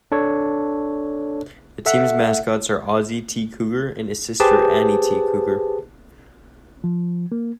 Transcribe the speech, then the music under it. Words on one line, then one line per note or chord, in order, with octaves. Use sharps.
The team's mascots are Ozzie T. Cougar and his sister Annie T. Cougar.
D4 A4 C#5
A4 E5 F#5
G4 G#4 B4 C5 A5
F3
A#3